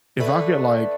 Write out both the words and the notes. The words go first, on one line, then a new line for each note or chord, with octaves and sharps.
if I could, like
D3 A3 B4